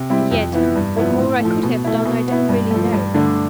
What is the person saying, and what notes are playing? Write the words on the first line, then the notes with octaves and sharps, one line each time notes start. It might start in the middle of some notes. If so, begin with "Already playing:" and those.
And yet, what more I could have done I don't really know.
Already playing: C3
G3 C4 E4
F2
E3 B3 E4
G2
F3 B3 E4
A2
F3 A3
B2
A3 E4
B2
B3 E4
G2
F3 A3
G2
D3 A3 D4